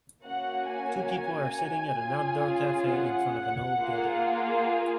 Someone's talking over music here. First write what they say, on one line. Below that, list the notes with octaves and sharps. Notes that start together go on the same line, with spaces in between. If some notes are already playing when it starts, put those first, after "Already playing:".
Two people are sitting at an outdoor cafe in front of an old building.
A#3 C#4 F#4 F#5
G#5
C#4 F4 G#4
F#5
A#3 F4 G#4